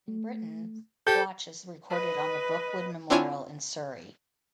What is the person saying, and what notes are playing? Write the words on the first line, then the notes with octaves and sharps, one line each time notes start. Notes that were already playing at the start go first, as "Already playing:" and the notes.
In Britain, Bloch is recorded on the Brookwood Memorial in Surrey.
A3
G4 A4 C5 G6
B4 D#5
C4 D4 E4 F4 C#5 G#5